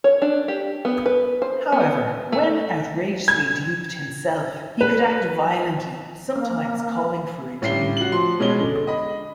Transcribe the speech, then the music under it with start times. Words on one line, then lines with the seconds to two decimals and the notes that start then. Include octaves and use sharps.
However, when outrageously duped himself, he could act violently, sometimes calling for a duel.
0.04 C#5
0.22 D4
0.48 G4
0.85 B3
1.06 B4
1.42 C5
1.72 B3
2.32 A3
3.28 G#6
4.81 B4
6.36 A#3
7.62 A1 G3 C7 G7
7.97 F#4 F#7
8.12 F3 C6
8.40 B2 G#3 C#5 D#5 G7
8.61 D3
8.87 D#5 B5